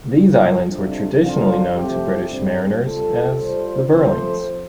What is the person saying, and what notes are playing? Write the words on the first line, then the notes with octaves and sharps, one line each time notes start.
These islands were traditionally known to British mariners as "the Burlings".
G2 G3 F4
F2 C3 F3 D4
D3 F3 C4 F4 A4
C3 F3 A3 C4 G4
G2 D3 G3 C4
G3 F4 A4
G3 F4 A4 C5
F3 A3 C4 A4 C5